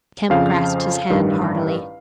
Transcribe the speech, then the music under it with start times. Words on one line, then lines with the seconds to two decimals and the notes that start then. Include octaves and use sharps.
Kemp grasped his hand heartily.
0.30 F2 C#3 F3 F5
1.09 A1 G2 D#3 G3